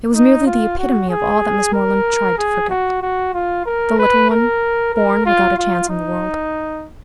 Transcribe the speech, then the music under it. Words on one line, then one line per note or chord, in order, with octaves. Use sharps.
It was merely the epitome of all that Miss Moreland tried to forget--the little one born without a chance in the world.
D#4
F4
F#4
G#4
A#4
G#4
F#4
F#4
F4
A#4
B4
A#4
A#4
F4
F4
D#4